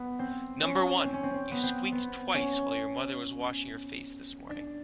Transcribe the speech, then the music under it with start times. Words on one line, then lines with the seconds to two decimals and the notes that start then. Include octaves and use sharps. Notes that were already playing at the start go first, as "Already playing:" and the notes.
Number one: you squeaked twice while your mother was washing your face this morning.
Already playing: B3
0.19 C4
0.62 C#4
1.05 C4
1.13 C#4
1.23 C4
1.33 C4
1.51 B3
1.63 C4
1.92 B3
2.34 C#4
4.50 D4